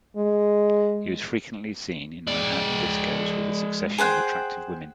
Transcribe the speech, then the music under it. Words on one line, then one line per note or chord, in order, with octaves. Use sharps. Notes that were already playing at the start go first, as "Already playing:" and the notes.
He was frequently seen in Manhattan discos with a succession of attractive women.
G#3
G#3 D5
G#4 C5 F#5 G5